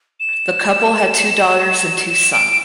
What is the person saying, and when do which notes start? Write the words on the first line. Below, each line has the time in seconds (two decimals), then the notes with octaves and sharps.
The couple had two daughters and two son.
0.20 E7
2.10 E7
2.33 D7